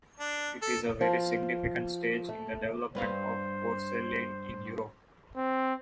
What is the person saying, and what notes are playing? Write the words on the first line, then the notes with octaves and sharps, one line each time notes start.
It is a very significant stage in the development of porcelain in Europe.
D4
A4
F3
A3
G2 B4 C5 F5
C4